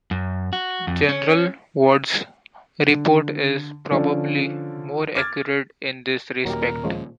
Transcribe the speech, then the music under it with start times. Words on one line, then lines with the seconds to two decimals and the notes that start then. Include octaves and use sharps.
General Ward's report is probably more accurate in this respect.
0.11 F#2
0.53 F#4
0.87 F2
1.09 C#4
2.89 D3
3.91 D3 F3 C#4 A4 D5
5.15 D6 F6 G#6 A6
6.45 D#2 A#2 F#3 D#4 G4 A#4
6.83 F3 G#3 C#4